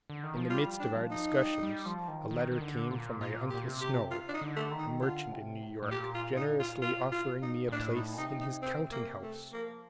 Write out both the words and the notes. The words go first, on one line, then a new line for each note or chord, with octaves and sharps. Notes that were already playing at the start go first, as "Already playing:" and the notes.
In the midst of our discussions a letter came from my Uncle Snow, a merchant in New York, generously offering me a place in his counting-house.
D3
D#3
F3
G3 F4
D4
F3
D#4
G3
G3
F3
D#3
D#3
D#3
D3
A#2
A#2 F4
A#2 G4
C3
G4
F4
D4
D#4
D3
A3
D#3
D#4
D3 F4
C3
A2
A2
A#2 G4
F4
D#4
F4
F4
F4
D#4
A#2
A2 D4
D#4
A#2
C3 D#4
D#4
C4
A#3
A3
F3 A#3